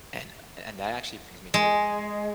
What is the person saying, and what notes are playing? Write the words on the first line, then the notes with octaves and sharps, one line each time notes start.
and and that actually brings me to
G#3